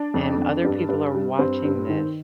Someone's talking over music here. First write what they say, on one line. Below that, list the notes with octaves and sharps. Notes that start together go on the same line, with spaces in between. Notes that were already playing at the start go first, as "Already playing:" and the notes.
and other people are watching this,
Already playing: D4
F2
F2
G2
G2
G3
G2 C4
G2
D#3